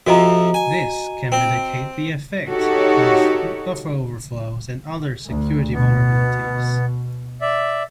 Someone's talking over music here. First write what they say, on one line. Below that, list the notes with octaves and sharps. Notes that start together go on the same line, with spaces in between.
This can mitigate the effects of buffer overflows and other security vulnerabilities.
F2 C3 F3 F#4 D#5 A#5
G#5
C4
D#4 F#4 G4 A4 C#5
D2
B2 B3
D5 E5